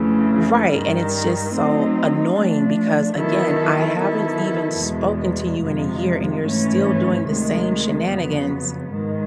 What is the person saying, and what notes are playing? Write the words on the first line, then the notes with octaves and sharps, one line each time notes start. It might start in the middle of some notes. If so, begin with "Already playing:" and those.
Right, and it's just so annoying because, again, I haven't even spoken to you in a year, and you're still doing the same shenanigans
Already playing: F2 C#3 E3 A3
G2 D#3 G3
F#3 A3 C4 D#4
F3 A3 D4
D#3 F#3 B3 E4 A4
D#3 F#3 B3 E4 A4
E2 B2 G#3
F2 C3 F3 G#3
G#2 E3 A3 C#4
D2 C3 D#3 G#3
F2 C#3 F#3 B3
G#2 D#3 G#3